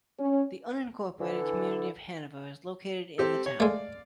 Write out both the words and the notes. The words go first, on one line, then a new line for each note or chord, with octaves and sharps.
The unincorporated community of Hanover is located in the town.
C#4
D3 E3 A4
C4 G4 A4
C#5
G#3 A3 D5 F5